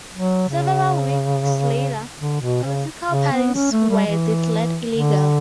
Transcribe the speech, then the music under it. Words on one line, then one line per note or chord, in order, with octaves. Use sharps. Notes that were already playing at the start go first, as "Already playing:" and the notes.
Several weeks later, political parties were declared illegal.
F#3
C#3
D3
B2
C#3
C#3
B3
C#4
A3
G3
E3
D3